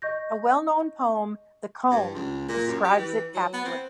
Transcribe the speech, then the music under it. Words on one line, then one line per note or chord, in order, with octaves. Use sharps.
A well-known poem, "The Combe," describes it aptly.
D#5 C#6 G6 A#6
G2
C#2
A#2
F#2
G4
E3
F#3
B3
C4